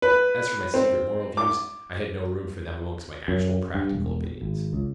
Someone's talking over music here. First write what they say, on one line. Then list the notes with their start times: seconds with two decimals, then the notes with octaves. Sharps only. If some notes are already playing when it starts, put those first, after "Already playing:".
As for my secret moral views, I had no room for them amongst my actual, practical opinions.
0.02 B4
0.74 C4
1.37 D6
3.28 F#2
3.74 G2
3.92 E1
4.41 G#1
4.73 C#2